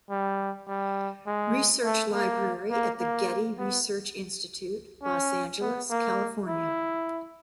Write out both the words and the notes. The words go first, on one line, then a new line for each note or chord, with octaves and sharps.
Research Library at the Getty Research Institute, Los Angeles, California.
G3
G3
G#3
A3
A#3
A#3
A#3
B3
C#4
B3
A#3
E4